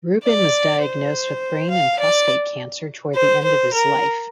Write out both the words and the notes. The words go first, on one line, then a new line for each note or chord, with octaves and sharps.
Rubin was diagnosed with brain and prostate cancer toward the end of his life.
D5
C5
F5
D5
C5
C5
A#4